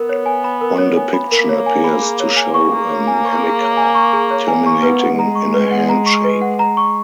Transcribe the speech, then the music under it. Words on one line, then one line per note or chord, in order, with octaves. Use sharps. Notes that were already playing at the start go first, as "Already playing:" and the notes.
One depiction appears to show a manica terminating in a hand shape.
Already playing: B3 A#4
C#5
G#5
B5
A#4
C#5
G#5
B5
A#3 A#4
C#5
G#5
B5
G#4
C#5
G#5
C#6
A#3 G#4
C#5
G#5
C#6
G#4
C#5
G#5
C#6
G#4
C#5
G#5
C#6
B3 B4
F#5
G#3 A#5
C#6
B4
F#5
A#5
C#6
B4
F#5
A#5
C#6